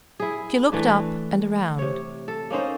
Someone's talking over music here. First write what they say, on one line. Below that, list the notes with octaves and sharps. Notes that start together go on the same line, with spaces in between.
She looked up and around.
E4 G#4
E3 A3 D4
C3 C#5
A4
A#3 C#4 D#4 C5